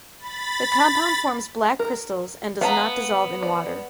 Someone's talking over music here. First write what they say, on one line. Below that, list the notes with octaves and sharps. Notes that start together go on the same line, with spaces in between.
The compound forms black crystals and does not dissolve in water.
B5 A6
A#4
B3 F5 A5 A#5
D5